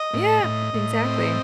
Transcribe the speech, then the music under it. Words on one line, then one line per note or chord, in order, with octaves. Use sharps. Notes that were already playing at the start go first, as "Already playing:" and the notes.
Yeah. Exactly.
Already playing: D#5
A2
A2
A2
C4